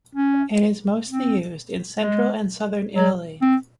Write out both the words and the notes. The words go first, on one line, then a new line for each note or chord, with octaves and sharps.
It is mostly used in Central and Southern Italy.
C#4
C4
G#3
F#3
C4